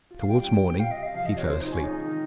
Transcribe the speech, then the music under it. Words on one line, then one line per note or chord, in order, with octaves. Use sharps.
Towards morning he fell asleep.
F4
F5
G3 G5
C#4 G5
G3
C4 F5
D#5
C3
F5
F3 F5
D#5
C3
C#5
C4 C5
D#4
F4
C#4
G#3 D#4
D#3